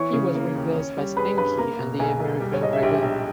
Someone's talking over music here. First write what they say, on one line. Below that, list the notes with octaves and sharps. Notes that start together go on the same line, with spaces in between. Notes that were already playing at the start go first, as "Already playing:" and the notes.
He was replaced by Spanky and The American Dragon.
Already playing: E3 C#5 C#6
C#3
A#3
D#2
C#4
G3
G#4 B4 B5
G2 B4 B5
A#3 A#4 A#5
B2
B1 G#4 G#5
B1
G3
C#5
G#2 D#5
E5
A#1 G4 G5
A#1